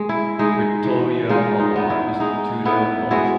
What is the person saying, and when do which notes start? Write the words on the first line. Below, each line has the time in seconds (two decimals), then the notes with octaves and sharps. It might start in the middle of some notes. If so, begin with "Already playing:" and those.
Victoria Harbour is to the north.
Already playing: G#3
0.09 E4
0.39 G#3 D#4
0.84 E3
1.29 G#3 D#4 F4
1.60 D#4
1.76 B3
1.90 E4
2.20 G#3 D#4
2.65 B3 E4
3.11 G#3 E4 F#4